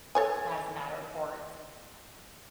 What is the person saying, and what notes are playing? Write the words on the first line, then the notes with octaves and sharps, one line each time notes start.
has Matterports
A4 C#5 G#5